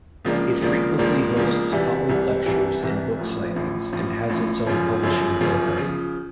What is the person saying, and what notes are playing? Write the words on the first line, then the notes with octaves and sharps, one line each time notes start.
It frequently hosts public lectures and book signings, and has its own publishing program.
C#2 C#3 F3 A#3 D4
C#2 C#3 F3 A#3 D4
C#2 C#3 F3 A#3 D4
C#2 C#3 F3 A#3 D4
C2 C3 E3 G3
C2 C3 E3 G3
C2 C3 E3 G3
C2 C3 E3 G3
A1 A2 F3
A1 A2 F3
A1 A2 F3
A1 A2 F3
G1 F#2 C#3 F3
G1 F#2 C#3 F3
G1 F#2 C#3 F3
C#3 F3